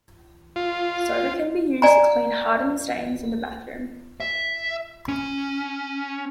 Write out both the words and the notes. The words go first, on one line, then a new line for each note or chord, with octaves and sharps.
Soda can be used to clean hardened stains in the bathroom.
F4
D5 G#5 A#5
E5
C#4